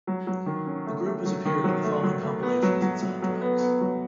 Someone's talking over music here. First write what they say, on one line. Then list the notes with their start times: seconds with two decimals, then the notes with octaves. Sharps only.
The group has appeared on the following compilations and soundtracks.
0.07 F#3
0.27 F#3
0.46 D#3
0.66 C#4
0.86 A3
1.06 A3
1.25 F#3
1.45 D#3
1.64 F#3
1.84 A3
2.03 F#3
2.23 A3
2.43 B3
2.63 F#3
2.82 F#3
3.02 F#3
3.22 F#3
3.41 B3
3.61 B3
3.81 F#3